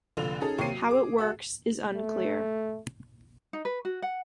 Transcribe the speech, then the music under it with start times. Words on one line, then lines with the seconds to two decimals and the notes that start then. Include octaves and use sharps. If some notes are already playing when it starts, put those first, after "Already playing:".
How it works is unclear.
0.17 F1 A#1 D3 F4 F7
0.40 C#4 D#4 G#4 A4
0.58 D#2 C3 A#3 C#5 C7 D#7
0.71 F#3
0.89 G#4 D6
1.18 F#4 A4 E5
1.95 A3
3.53 D#4
3.65 B4
3.85 F#4
4.02 F#5